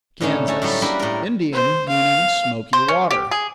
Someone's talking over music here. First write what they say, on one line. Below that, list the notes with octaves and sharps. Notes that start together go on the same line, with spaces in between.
Kansas--Indian; meaning "smoky water."
A2 D3 A3 C#4 D#4
A3 A4 G#5 A#5
A2 F#3 G3 D#4
A#3 D4 E4 G4 A#4 B4
A2 A#4
C5
F5
C5
C#4
G4
G#4